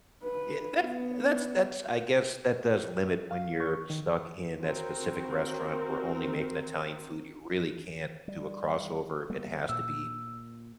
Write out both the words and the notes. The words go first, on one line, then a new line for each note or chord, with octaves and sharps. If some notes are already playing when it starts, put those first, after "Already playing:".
Yeah, that's that's that's I guess, that does limit when you're stuck in that specific restaurant where only making Italian food. You really can't do a crossover, it has to be,
B4
B3
F5
C#6
D#3
C4 F#4 A#4
G3
G3 A#3 B3
A#2 E6